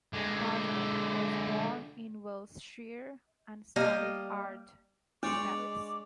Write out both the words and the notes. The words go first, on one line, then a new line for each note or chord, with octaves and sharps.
Barnard was born in Wiltshire and studied art in Paris.
D3 G#3
G3 A#3 D#5
G#3 D4 C#5 D5 D6